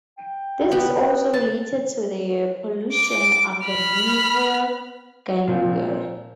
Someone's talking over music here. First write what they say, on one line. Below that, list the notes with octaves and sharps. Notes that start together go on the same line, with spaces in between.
This is also related to the pollution of the River Ganges.
G5
B3 G4
A5
D6
B5 F6
A#2 F3 C4